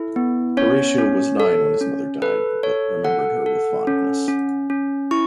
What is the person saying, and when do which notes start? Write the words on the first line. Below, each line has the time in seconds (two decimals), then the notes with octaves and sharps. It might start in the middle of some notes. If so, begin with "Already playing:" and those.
Horatio was nine when his mother died, but remembered her with fondness.
Already playing: E4 A4
0.16 B3
0.57 C#4 C#5
0.98 C#4
1.40 A4
1.81 C#4
2.22 A4 B4
2.63 A4 C#5
3.04 A4 F#5
3.46 A4
3.87 C#4
4.28 C#4
4.70 C#4
5.11 E4 C#6